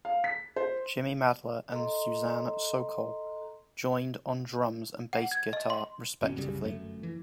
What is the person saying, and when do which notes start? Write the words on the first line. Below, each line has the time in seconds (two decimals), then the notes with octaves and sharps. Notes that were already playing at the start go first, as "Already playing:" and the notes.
Jimmy Madla and Suzanne Sokol joined on drums and bass guitar respectively.
0.05 F5
0.24 B6
0.56 C5
1.72 A4 D#5 A#5 C6
5.13 F#5
5.31 G#6
5.53 D#5
5.70 C6
6.21 G1 B2 C4 C#4
6.37 C2 F#2 C#3 G3
6.62 G1 F#2 A3
7.03 E3